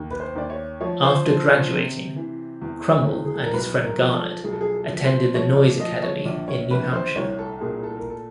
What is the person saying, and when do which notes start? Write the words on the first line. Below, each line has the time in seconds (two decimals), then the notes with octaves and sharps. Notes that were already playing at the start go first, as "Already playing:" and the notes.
After graduating, Crummell and his friend Garnet attended the Noyes Academy in New Hampshire.
Already playing: D#2
0.11 B4
0.20 C5
0.35 D#2 D5
0.50 C#5
0.81 F3 C#5
1.03 C5
1.26 F3 C5
1.48 C5
1.71 C3
2.16 E3
2.62 E2
3.07 E2
3.25 G#4
3.34 A4
3.44 A#4
3.53 B1 B4
3.83 A#4
3.98 F3
4.13 A4
4.44 B1 G#4
4.53 A4
4.61 G#4
4.74 A4
4.89 F3
5.05 C5
5.34 F3 C#5
5.57 D5
5.79 F3 D#5
6.03 C#5
6.25 A#1 D5
6.48 C#5
6.71 A#1 B4
6.93 C5
7.15 C2 C#5
7.39 A4
7.61 A#2 G#4
7.83 A4
7.97 A#4
8.10 A4